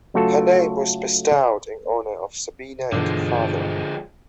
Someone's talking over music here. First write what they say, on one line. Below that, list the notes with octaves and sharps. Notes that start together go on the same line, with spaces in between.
Her name was bestowed in honor of Sabina and her father.
C#3 F#3 A3 F4 F#4 A4
G2 B2 D3 E3 F3 G#3